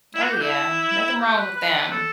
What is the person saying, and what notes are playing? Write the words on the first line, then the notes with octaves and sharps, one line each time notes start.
Oh, yeah. Nothing wrong with them.
E4
F#4
G4
E4
G4
B4
B4
A4